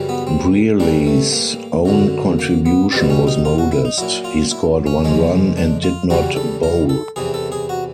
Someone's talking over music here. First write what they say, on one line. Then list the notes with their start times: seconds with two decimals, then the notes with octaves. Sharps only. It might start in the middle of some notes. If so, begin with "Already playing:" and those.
Brearley's own contribution was modest: he scored one run and did not bowl.
Already playing: F#2 C#3 E3 G3
0.09 B3
0.27 C4
0.80 A2 E3 G3 D4
1.07 A3
1.32 A#3
1.85 F#2 D3 F#3
2.39 A#3
2.66 B3
2.92 E2 B2 G3 C4
3.10 C#4
3.27 D#4
3.45 F4
3.58 F#4
3.71 E4
3.85 D#4
3.98 A#2 F#3 E4
4.24 F4
4.51 E4
4.86 C#4
5.04 F2 C#3 F3 G#3
5.57 D4
5.84 F4
6.10 E2 C#3 E3 G3 F#4
6.36 A4
6.63 A#4
6.89 A4
7.16 E2 C3 E3 G#4
7.34 A4
7.52 G#4
7.69 F#4